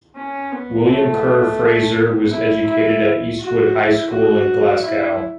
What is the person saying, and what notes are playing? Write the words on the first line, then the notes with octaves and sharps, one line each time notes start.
William Kerr Fraser was educated at Eastwood High School in Glasgow.
C#4
B3
A3
B3
E4
E4
F#4
E4
F#4
E4